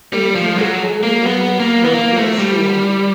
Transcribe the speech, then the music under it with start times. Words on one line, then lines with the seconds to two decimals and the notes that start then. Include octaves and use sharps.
He attended Holy Family Parochial School.
0.13 G3
0.35 F3
0.58 F#3
1.03 A#3
1.26 B3
1.60 A#3
1.85 B3
1.94 A#3
2.17 A3
2.39 G3